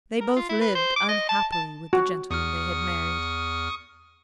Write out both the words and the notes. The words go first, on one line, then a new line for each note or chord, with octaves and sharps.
They both lived unhappily with the gentlemen they had married.
A#4
F4
E4
B4
C5
D6
D#5
A5
A5
F#4
E2 C#6 D#6 F6